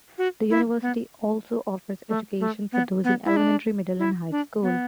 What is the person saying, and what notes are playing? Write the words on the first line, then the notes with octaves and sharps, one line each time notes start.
The university also offers education for those in elementary, middle, and high school.
F#4
E4
B3
A3
A3
B3
B3
E4
D4
E4
D4
B3